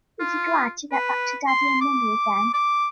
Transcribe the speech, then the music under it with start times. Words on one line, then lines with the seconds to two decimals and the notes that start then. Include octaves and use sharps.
Is he glad to get back to Daddy and Mummy again?
0.20 F4
0.92 B4
1.47 C6
1.81 D6
2.54 D6